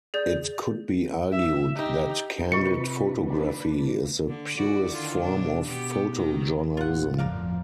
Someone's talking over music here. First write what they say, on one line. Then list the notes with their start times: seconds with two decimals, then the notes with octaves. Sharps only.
It could be argued that candid photography is the purest form of photojournalism.
0.14 G#4 D5 G6
1.32 E5
1.75 D#4 G4
2.52 C3 F4 B4 D#5 C#6 C#7
3.24 A#3 D4 B4
3.79 A#3
4.28 D3
4.56 E4 F#4 D5
4.90 D3 D#3 F4
5.23 B2 D4
5.67 B2 B3 G4
6.14 D#3 D#4
6.77 A1 F4 F#5
7.18 G1 F2 F3 A#4 D5 F5